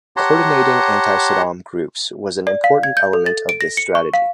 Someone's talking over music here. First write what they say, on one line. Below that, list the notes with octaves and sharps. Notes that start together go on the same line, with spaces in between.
Coordinating anti-Saddam groups was an important element of this strategy.
G4 C#5 F#5 A5 A#5 C6
D5
F5
G#6
G6
A4
A6
D7
A#6
C#7
C#6
F5